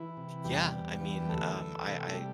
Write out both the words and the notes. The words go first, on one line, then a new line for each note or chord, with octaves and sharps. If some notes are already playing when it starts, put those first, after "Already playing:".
Yeah, I mean, um, I I
Already playing: E3 E4
C3
E2 G3 G4
E2
E3
D2 A3 A4
E3
C3
G3 G4